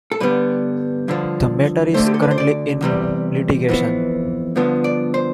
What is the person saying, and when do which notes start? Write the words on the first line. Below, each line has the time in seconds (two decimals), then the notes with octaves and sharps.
The matter is currently in litigation.
0.12 A4
0.20 G2 D3 G3 B3 B4
1.08 G2 D3 F3
1.94 D2 D3 A3 C5
2.07 G4
2.14 A4
2.22 B4
2.31 C5
2.38 D5
2.82 E2 C3 G3
3.69 F2 E3 B3
4.56 G2 D3 F3 B3
4.84 D5
5.14 C5